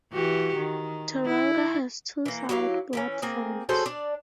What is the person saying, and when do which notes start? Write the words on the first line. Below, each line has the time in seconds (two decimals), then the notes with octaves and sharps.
Tooronga has two side platforms.
0.13 E3 F#4 G4
0.57 D#3
1.26 E4
2.26 E3 A#3
2.49 F#3 E4 G4 F5
2.93 D3 E3 C#4
3.22 A#3 C4 G#4
3.69 F#3 G#4 A4 C5
3.86 D4 D5